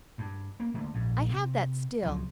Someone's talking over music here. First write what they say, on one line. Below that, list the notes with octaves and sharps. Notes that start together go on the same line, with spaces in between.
'I have that still.
G2
A#3
D3 A3 A#3
A#1 G#2
C3
C#2 F3 F#3